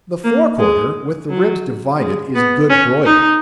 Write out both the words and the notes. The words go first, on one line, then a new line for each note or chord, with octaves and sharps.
The fore quarter, with the ribs divided, is good broiled.
A#3
G#3
F#3
G#3
B3
C#4
D#4